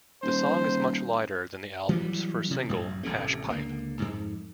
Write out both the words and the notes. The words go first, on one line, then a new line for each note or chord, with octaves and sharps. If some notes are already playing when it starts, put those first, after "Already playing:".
The song is much lighter than the album's first single, "Hash Pipe".
D#1 C5
E3 F#3 G3
C3
A1 F#2
D#1 A1 C3 A3
C#2 D3 A#3
F2 G#2